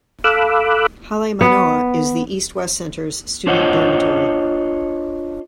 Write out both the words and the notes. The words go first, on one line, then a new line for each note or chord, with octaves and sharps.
Hale Manoa is the East-West Center's student dormitory.
A4 F5 B5 D6 E6 F#6
B3
D4 F4 C5 C#5 D#5 F#5